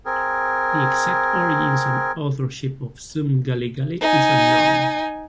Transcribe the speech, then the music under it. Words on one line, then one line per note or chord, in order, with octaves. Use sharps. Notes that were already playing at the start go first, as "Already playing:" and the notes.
The exact origins and authorship of "Zum Gali Gali" is unknown.
C4 G#4 A#4
D#4 G#5